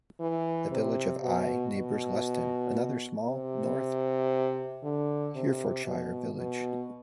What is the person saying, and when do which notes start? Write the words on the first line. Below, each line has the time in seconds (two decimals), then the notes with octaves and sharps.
The village of Eye neighbours Luston, another small north Herefordshire village.
0.20 E3
0.71 C3
1.23 B2
1.75 B2
3.28 C3
4.83 D3
5.35 C3
5.86 B2
6.38 B2